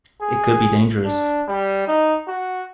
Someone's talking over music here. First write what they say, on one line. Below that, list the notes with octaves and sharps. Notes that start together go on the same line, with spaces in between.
It could be dangerous.
G#4
D4
G3
D#4
F#4